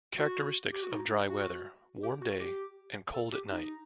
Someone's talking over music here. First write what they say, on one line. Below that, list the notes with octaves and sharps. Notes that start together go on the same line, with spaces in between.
Characteristics of dry weather, warm day and cold at night.
F#4
G4
F#4
D#4
D#4
F#4
G4
F#4
G4
A4
G4
D#4